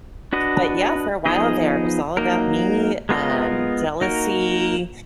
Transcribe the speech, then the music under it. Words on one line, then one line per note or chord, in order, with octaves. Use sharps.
But, yeah, for a while there, it was all about me, um, jealousy,
D4 F#4 B4 D#5
F3 B3 D#4 G#4 D#5
F#3 A#3 D#4 A#4
G#3 B3 F4 A#4 D#5
A#3 D#4 F#4 A#4